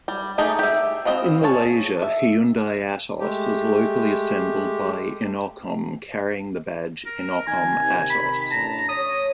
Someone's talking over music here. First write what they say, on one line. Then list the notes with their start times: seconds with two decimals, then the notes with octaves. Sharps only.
In Malaysia, Hyundai Atos is locally assembled by Inokom carrying the badge Inokom Atos.
0.08 G3
0.38 A3 D#4 G4 G#4
0.59 G4 E5
1.05 C4 A#4 D#5 F5 B5
1.43 F4 G#4 C#5 A5
2.02 E5
3.20 G#3 A3 G4
7.06 A#4
7.47 D#3 G#5
7.78 C3 D#3
8.10 B5
8.51 A1 D4 A5 A#5
8.88 C#5 D#6